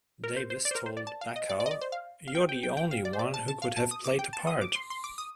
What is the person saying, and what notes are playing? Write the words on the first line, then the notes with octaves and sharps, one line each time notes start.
Davis told Bacall, You're the only one who could have played the part.
A#4
C5
C5
D5
C5
A#4
C5
D5
A5
F5
D#5
D5
D5
D#5
D5
C5
F5
F5
G5
G5
G5
G5
F5
D5
C5
D5
A5
A5
F5
A5
D#6
D6
G5
A5
D#6
D6
C6
C6
D6
D#6